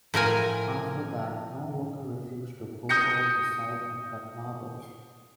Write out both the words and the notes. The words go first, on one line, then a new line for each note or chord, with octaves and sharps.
After that no worker refused to go over the side and cut marble.
A2 F3 A#4 G#5
D#6 G6 A#6 C#7